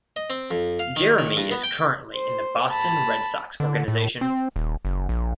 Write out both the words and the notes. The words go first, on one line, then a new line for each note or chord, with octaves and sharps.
Jeremy is currently in the Boston Red Sox organization.
D#5
C4
F2
F5
D#3
D#3
G2
B3
G5
C5
A5 B5
D3
A2
C4
D#1
F#1
A#1